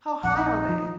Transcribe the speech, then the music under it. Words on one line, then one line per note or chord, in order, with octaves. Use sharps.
How high are they?
A#1 F2 F#5
D#4
F3